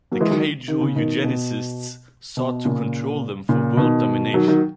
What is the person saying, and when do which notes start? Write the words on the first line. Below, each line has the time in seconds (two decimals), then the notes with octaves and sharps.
The Kaiju Eugenicists sought to control them for world domination.
0.11 F#3 A#3
0.20 E3 G#3
0.31 D#3 F#3
0.68 D#3
0.81 C#3
0.95 B2 D#3
1.24 B2
2.37 B2
2.65 A#2 C#3
3.49 A#2 C#3
3.77 B2 D#3
4.34 D#3 F#3
4.48 D#3 F#3